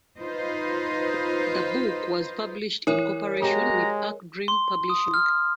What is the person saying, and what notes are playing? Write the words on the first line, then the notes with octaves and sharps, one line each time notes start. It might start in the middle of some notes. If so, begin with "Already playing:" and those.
The book was published in cooperation with Arc Dream Publishing.
D#4 F4 B4 C5 D#5
E3 A#4 C#5
G#3 F#4 G4 A#5
C6
D#6
F6